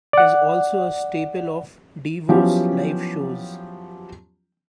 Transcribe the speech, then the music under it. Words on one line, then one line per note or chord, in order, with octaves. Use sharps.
It is also a staple of Devo's live shows.
D5 F#5
F3 F#3 B3 C#4 E4 G4